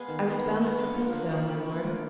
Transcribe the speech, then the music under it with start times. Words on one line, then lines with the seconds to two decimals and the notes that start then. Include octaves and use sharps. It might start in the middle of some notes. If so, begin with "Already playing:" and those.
"I was bound to suppose so, my lord."
Already playing: G#3 B3 F5 G#5
0.09 D#3
0.27 G#3 B3
0.44 D#3
0.62 G#3 B3
0.79 D3 F5
0.96 F3 A#3
1.13 D3
1.31 F3 A#3
1.48 D3 B5
1.66 F3 A#3
1.83 D3